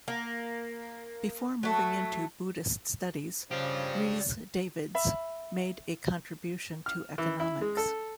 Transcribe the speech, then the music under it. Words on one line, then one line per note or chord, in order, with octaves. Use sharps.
Before moving into Buddhist Studies, Rhys Davids made a contribution to Economics.
A#3
F#3 A3
C#3 F3 D4 G4
E5 B5
F6
E3
E4
G#3
A4